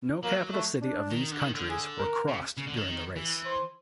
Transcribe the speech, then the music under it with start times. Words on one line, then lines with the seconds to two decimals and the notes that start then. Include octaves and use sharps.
No capital city of these countries were crossed during the race.
0.23 F#3 A#3
0.53 A3
0.82 D4
1.11 D#3
1.32 D3
1.41 D#3
1.54 D3
1.70 G#4
1.99 A#4
2.28 C#3
2.57 C#3
2.67 D3
2.76 D#3
3.16 E3
3.45 C5